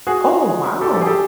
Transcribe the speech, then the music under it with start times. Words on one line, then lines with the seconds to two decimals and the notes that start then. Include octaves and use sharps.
Oh, wow.
0.07 F#4 G#4
0.81 G4 A4
0.94 G4 A4
1.01 G#4
1.06 G4 A4